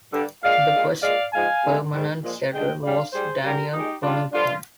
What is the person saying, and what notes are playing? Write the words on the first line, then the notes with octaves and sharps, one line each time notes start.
The first permanent settler was Daniel Cunningham.
G2 D3 G3
A#2 G#3 D5 F5
A#2 G#3
A#2 G#3 D5 F5
G#2 F3 G#3 F5 G#5
C3 D#3 G#3
G#2 D#3 G3
A#2 F3 G#3
G2 D3 G#3 D#5 G5
G#2 G3 D5 F5
G#2 G3 G#4 C5
G#2 G3 G4 A#4
A#2 G#3 D#4 G4
G#2 G3 D4 F4
G2 D3 F3 D4 F4